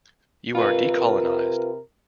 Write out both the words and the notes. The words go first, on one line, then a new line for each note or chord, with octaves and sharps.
You are decolonized.
C3 F4 A#4 B4